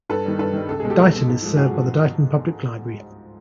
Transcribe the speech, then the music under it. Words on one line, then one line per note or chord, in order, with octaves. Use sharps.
Dighton is served by the Dighton Public Library.
G2 A4 B4
D#3 G3
G2 A4 B4
D#3 G3
C#2 A4
B2 G#3 G#4
G4 A4
C#2
B2 G#3
G#2
F3 G#3
G#2 F#4 G#4
F3